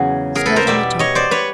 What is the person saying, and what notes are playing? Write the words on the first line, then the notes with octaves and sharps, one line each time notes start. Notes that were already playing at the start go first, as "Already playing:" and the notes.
Spread on the top.
Already playing: E2 C#3 F#3 F#4 G#4
G#4 A#4
A4 B4
A#4 C5
B2 G3 D5 E5
C#5 D#5
C5 D5
B4 C#5